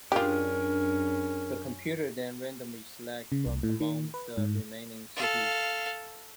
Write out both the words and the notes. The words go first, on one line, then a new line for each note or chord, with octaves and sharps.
The computer then randomly selects from among the remaining cities.
F#2 C#4 D4 F4 G4 G#4 A#4
C#3
C2
A2
D#3
B4
G#2
A4 F5